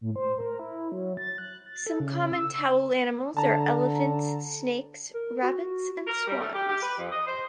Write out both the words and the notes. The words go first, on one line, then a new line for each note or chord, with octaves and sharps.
Some common towel animals are elephants, snakes, rabbits and swans.
A2
C5
A#4
E4
F#3
A6
F#6
A6
A4
C#3
E6
D3 A5 A#5
A#4
F#4
A#4
G3
A3
G4
G4
B4
F2
D#5
C5